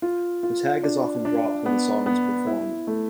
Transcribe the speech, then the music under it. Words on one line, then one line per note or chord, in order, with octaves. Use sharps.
The tag is often dropped when the song is performed.
F4
F4
D4
D4
B3
B3
E4
A3